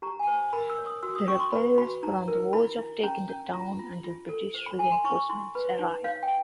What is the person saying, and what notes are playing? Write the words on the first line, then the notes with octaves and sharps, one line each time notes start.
The rebels were on the verge of taking the town until British reinforcements arrived.
G4 A#5
G#5
C5
A#4 B5
E6
C#5
D#6
F#4 E6
D#6
C#4 C#6
C6
B4 B5
F#4 B5
D#4 A#5
A#4
E4 B5
E4
C#4 A#5
C#4
F4 A#5
F4
F4
A4
C5
B5
E4 G#5
C6
E4 C#6
E4 C6
B4 B5
D#4
C#5 F5
G5